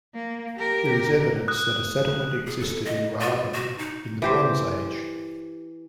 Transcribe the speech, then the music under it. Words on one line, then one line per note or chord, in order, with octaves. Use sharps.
There is evidence that a settlement existed in Ruabon in the Bronze Age.
A#3
G4 A#4
D#6 F#6
G#4
A4
D#5
F4
F#4
D#4
E3 G4 C5